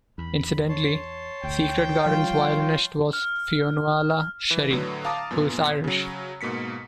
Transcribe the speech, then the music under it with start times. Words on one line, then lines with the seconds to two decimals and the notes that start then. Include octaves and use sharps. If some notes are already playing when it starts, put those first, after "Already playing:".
Incidentally, Secret Garden's violinist was Fionnuala Sherry, who is Irish.
0.18 E2 B5
0.69 C#5 A5 C6
1.43 D2 G5
2.06 F3 G3 F4
3.13 F6
4.51 E3
4.70 A2 D3 F#3 B4
5.05 F5 A5 A#5 D6 D#6
5.31 F#2 A#2 B3
5.84 C#3 F#3
6.41 G#2 B2 A#3 B6 C#7